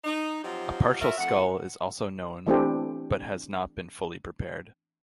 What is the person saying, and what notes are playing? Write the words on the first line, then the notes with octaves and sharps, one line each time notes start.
A partial skull is also known but has not been fully prepared.
D#4
F3 F#3 C4 D#4 F4 G4
F4 F#4 A#4 C#5 E5
F2 A3 F#5
E3 A3 C4 D4 G4